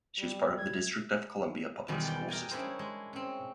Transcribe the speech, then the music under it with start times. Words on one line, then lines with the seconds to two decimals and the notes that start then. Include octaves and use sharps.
She was part of the District of Columbia Public Schools system.
0.18 G3
0.59 G#6
1.88 E2 B2 D#3 G3 G#3
2.05 D5 G5
2.28 A#4 D#5 G5 G#5
2.51 C#4 D4 E4 G#4 A#4 C5
2.79 G#3
3.13 C4 C#4